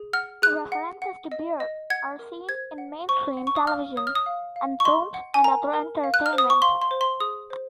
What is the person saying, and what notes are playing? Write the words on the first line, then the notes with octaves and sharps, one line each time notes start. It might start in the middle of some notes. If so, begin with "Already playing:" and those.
References to beards are seen in mainstream television and films, and other entertainment.
Already playing: G#4
F#5 F6
G#4 F#6
F#5
F#5
D#5
D#5
F#5 G#6
A#4
C5 G#6
F#5
C5 C#6
F#5
C#6
D#6
F5 F6
C#5 D#6
F6
D#6
F5
F5
C#6
D#5 C6
F#5
G#5
A#4 A#5
A#4
F5
F#6
F6
C5
D#6
C#6
F5 C6
C6
C5
C6
G#4 D#6
C5